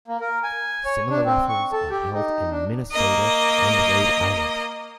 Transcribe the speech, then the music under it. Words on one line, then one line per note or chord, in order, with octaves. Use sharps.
Similar raffles are held in Minnesota and Rhode Island.
A#3
A#4
G#5
C#5
D4
C4
C#6
A4
G4
D#4
D4
A#3 D#5